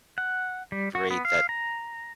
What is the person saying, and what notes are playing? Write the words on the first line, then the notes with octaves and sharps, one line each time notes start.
great that,
F#5
G3
F#4
B3
F5
A#5